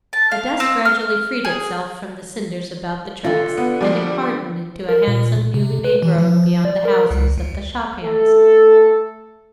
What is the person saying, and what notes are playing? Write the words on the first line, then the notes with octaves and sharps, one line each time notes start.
The dust gradually freed itself from the cinders about the tracks, and it hardened into a handsome, newly made road beyond the houses of the shop hands.
A5
F5
C4
F6
G#4
D3 F4
B3
F3 G3 D5
A#4
A#2
C3
B4
E3
F3
D5
A#4
C#2
D2
A3 A4